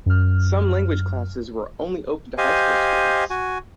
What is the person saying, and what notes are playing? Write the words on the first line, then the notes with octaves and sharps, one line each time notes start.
Some languages classes were only open to high school students.
F#2 F6
G4 C5 D#5 F5 G#5
F#4 G#5